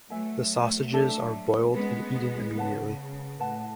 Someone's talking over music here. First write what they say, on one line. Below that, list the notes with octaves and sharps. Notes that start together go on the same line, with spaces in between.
The sausages are boiled and eaten immediately.
F#3 A3 B4 E5 G#5
D4 A4 E5 A5
G#3 B3 C#4 G#4 B4
C#3 B4 F#5 A5
A2 B4 F#5 A5